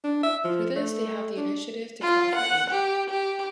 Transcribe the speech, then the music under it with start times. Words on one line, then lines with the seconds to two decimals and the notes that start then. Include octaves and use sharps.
For this, they have the initiative to call for Annie.
0.04 D4
0.23 E5
0.44 F3
0.76 A3
1.37 D4
2.02 F4
2.35 F#5
2.70 G4
3.10 G4